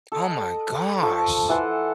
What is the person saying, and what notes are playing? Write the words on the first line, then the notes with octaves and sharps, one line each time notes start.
Oh my gosh.
A4 D#5
F3 A4 C#6
E3 A4 F#5 C6